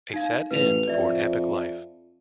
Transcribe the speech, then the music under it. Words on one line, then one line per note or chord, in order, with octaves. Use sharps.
A sad end for an epic life.
D#4 F5
A1 B4 F7
F2 D5 E5